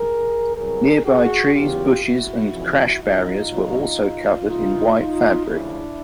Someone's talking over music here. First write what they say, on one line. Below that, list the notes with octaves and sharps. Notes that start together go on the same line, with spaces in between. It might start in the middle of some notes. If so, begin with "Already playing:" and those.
Nearby trees, bushes and crash barriers were also covered in white fabric.
Already playing: G#4 A#4
C2 B2 F#3 G#4 A#4
F#4 G#4
E2 C#3 F#3 F4 G4
E4 F#4
F2 C#3 E3
D#4 F4
C#2 B2 F#3
C2 C3 E3 D#4 F4
D#4 F4
D2 C#3 F3 D4 E4